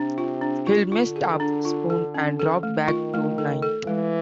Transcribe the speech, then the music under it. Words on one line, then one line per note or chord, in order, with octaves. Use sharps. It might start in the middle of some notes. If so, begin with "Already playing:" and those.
Hill messed up, spun and dropped back to ninth.
Already playing: C3 D4
F4
D4
F4
D3 F4
G#4
D4
F4
A4
C#4
A4
A3
D#3 F4
A3
A4
A4
E3 G#3